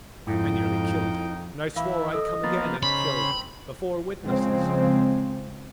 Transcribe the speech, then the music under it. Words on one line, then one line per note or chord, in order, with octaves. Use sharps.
I nearly killed him, and I swore I'd come again and kill him, before witnesses....
F2 G#2 D#4 E4 G5
E3 E5 F5 B5
A4 D#5 E6
F3 A#3 B3 A6
C#3 D#4 C5 B5
C4
C#3 F3 G#3 C4